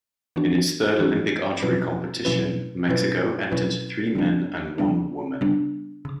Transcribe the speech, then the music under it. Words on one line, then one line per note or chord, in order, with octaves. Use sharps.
In its third Olympic archery competition, Mexico entered three men and one woman.
E3 B3 D4 F#4
E3 B3 D4 F#4
B2 F#3 C#4 E4 B4
B2 F#3 C#4 E4 B4
B2 F#3 C#4 E4 B4
B2 F#3 C#4 E4 B4
C#3 G3 B3 D4
C#3 G3 B3 D4
C#3 G3 B3 D4
C#3